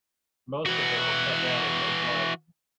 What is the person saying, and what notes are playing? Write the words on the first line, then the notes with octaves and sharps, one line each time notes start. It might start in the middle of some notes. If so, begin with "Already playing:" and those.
Most of them were cut down as they fled.
E3 F#4